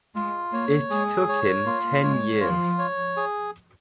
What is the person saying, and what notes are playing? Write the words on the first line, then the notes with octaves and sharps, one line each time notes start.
It took him ten years.
G#3 F4
A#3 C#5
G#3 G#4
C#5
A#3 F4
G#3 C#5
F3 F4
C#5
G#4